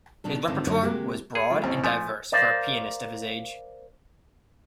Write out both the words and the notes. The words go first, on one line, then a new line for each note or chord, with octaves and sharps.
His repertoire was broad and diverse for a pianist of his age.
B2 D#3 D4 A4
G#2 D3 D#3 C4 D#4 F4
F#2 D3 D#4 F#4 C#5
C3 G#3 A#3 F#4 G4
G#4 C#7
F3 G3 A3
A1 C4 C#4
F3 A3 G#5
A#4 C5 D5 F5